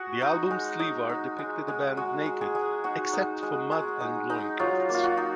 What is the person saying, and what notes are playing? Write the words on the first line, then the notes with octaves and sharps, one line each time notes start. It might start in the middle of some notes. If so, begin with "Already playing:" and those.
The album's sleeve art depicted the band naked, except for mud and loincloths.
Already playing: F#4 G#4
D#4
G#3
D#4
D#4
G#3
G#3
G#3 F#4
G#3
G#4
G#3
D#4 F#4
D#4
G#3
G#3
D#4
D#4
F#3 F4
A#3
F4
F#4
D#4